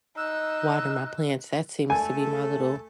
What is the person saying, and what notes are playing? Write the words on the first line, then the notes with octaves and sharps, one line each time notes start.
water my plants, that seems to be my little
D#4 E6 F#6
A3 A4 G#5